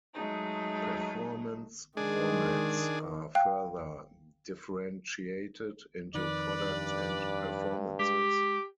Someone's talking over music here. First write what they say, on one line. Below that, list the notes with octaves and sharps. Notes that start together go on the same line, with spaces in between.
Performance formats are further differentiated into products and performances.
F#3 G#3 A3 D#4
D#3 G#3 D4 G#4
F5 G5 F#6
F2 D#3 B4 D5
G2
G#3 G4